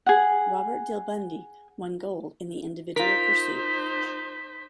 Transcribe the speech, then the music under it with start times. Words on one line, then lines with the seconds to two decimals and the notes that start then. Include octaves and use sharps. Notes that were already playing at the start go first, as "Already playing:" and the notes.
Robert Dill-Bundi won gold in the individual pursuit.
0.06 G#4 F#5
2.96 D#4 F4 A#4 C5 B6